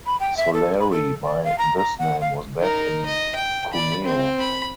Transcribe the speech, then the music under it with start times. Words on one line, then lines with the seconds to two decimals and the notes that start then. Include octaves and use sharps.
Soleri by this time was back in Cuneo.
0.06 B5
0.20 G5
0.37 E5
0.54 A4
0.80 B5
0.92 A4
1.25 D5
1.44 F5
1.59 A#5
1.77 A#5
1.99 F#5
2.21 F5
2.60 D#4 A#4
3.06 D#5
3.35 G5
3.73 D5 B5
4.04 C4
4.40 B5